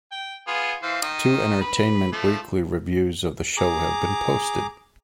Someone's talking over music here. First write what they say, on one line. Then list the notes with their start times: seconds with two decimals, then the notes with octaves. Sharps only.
Two "Entertainment Weekly" reviews of the show have been posted.
0.11 G5
0.47 B3 F4 G#4
0.83 E3 C5 F5
1.02 D#3 D#5
1.61 B4
2.12 F3 A3
3.57 G#4 A#5 D6